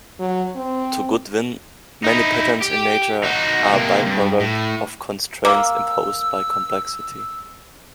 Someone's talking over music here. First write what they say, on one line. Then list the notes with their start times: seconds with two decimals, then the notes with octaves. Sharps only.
To Goodwin, many patterns in nature are a byproduct of constraints imposed by complexity.
0.19 F#3
0.55 C4
2.04 D#4 E4
2.61 G4
3.24 D#4 F#4
3.73 C3 A#3
4.06 G2
4.40 A2
5.45 A#3 E6